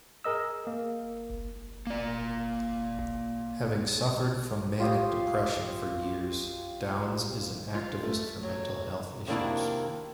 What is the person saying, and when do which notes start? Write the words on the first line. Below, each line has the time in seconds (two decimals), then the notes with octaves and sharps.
Having suffered from manic-depression for years, Downes is an activist for mental health issues.
0.24 G#4 A#4 D#5 E6
0.67 A#3
1.87 A#3 D5
4.80 F4 G4 C#5 D#6
7.75 F4
8.03 A3
8.43 F#3
9.28 C3 D#3 A#3 D4 E4 F#4